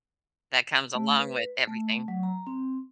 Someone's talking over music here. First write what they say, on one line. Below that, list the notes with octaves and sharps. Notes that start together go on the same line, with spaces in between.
that comes along with everything,
A3
B4
A3
F#3
A#5
C4